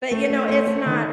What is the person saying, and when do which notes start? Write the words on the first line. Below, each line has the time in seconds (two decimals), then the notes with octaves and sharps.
but, you know, it's not
0.11 A3
0.30 A3
0.48 A3 C5
0.67 A3
0.86 D#3